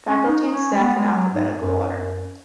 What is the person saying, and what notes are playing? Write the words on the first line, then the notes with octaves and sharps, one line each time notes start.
Faculty and staff in alphabetical order.
C#4
D#4
C#4
G#3
B3
G#3
F#3
G#2
F#2
F#2